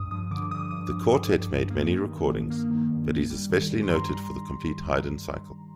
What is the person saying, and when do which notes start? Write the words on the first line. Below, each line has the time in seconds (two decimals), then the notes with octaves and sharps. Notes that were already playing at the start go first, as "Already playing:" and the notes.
The Quartet made many recordings, but is especially noted for the complete Haydn cycle.
Already playing: G2 D#6
0.11 F3 D#6
0.31 D3 D6
0.51 G2 D#6
0.71 G2 D#6
0.91 F3
1.11 D3
1.31 G2
1.51 G2
1.70 A#3
1.91 D#3
2.11 G2
2.31 G2
2.50 A#3
2.71 D#3
2.90 G2
3.10 G2
3.30 G3
3.50 D#3
3.70 G2
3.83 C6
3.89 G2 A#5
4.08 G3 A#5
4.17 C6